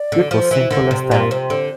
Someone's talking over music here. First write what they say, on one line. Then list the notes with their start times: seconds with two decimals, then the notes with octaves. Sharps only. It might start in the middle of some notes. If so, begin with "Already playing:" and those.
It was simple as that.
Already playing: D5
0.12 D3
0.31 F3
0.51 E3
0.71 D3
0.91 C3
1.11 A#2 D5
1.30 C3 C5
1.50 D3 C5